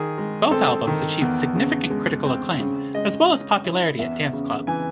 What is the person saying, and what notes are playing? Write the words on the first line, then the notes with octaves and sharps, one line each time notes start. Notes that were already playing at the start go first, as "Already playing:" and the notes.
Both albums achieved significant critical acclaim as well as popularity at dance clubs.
Already playing: D#3 G#4
G#3
C4 A4
D#3
E2
C#3
G#3
C4
C#3
G#3 D#5
C#4
E4
E2 E5
C#3
E3 G#5